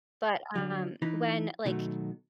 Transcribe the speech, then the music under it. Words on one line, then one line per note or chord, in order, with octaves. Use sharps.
but, um, when, like,
D3 F#3
E3 D#4 B4
B2 D#3 F#3 A3